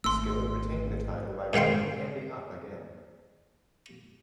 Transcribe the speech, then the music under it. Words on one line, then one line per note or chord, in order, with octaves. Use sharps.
Skillet retained the title by rolling Andy up again.
G#1 A3 C6 E6
G#2 D#3 F5 G5 C6